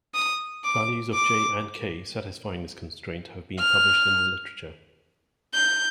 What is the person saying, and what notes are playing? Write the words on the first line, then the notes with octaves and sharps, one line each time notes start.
Values of j and k satisfying this constraint have been published in the literature.
D#6
D6
D6
F6
G6